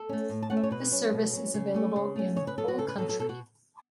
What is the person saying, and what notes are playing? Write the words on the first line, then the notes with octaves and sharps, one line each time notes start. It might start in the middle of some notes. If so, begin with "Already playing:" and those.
This service is available in whole country.
Already playing: A4
A3 C#4
A2
A5
A3 C#4 F#5
E5
C#5
B2 B4
F#3 C#4
B2
F#3 C#4
C#3
A3 C#4
C#3
A3 C#4
C#3 C#5
B4
F#3 B3 A4
F#4
C#3 A4
B4
F#3 B3 A4
A4
B2 A4
F#4